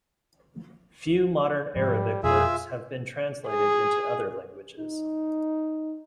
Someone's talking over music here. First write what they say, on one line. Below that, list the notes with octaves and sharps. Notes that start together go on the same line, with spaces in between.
Few modern Arabic works have been translated into other languages.
G#2 F3 G3
F2 B2 F4 G#4 E5
G#4
D#4